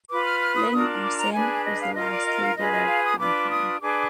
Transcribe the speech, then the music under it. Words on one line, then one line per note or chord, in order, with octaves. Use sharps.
Lin Ah Sin was the last leader of Lanfang.
F4 B4 D6
F6
F6
D#6
D4 F4 A#4 D#6
D6
A#5
D4 G#4 B4 G#5
D#5
F5
F4 A#4 D#5
D5
D#5
F5
F4 G#4 B4 D#5
D#5
F5
D#6
D4 F4 B4 D6
D#6
D4 G#4 B4 D6